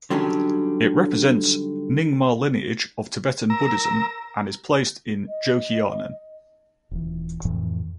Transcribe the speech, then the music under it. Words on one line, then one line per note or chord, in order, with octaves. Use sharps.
It represents Nyingma lineage of Tibetan Buddhism and is placed in Jokioinen.
D3 D#3 F#3 G3 C#4 D4
A#4 A#5 E6
D#5
D#1 E3
F2 A2 D#3 E3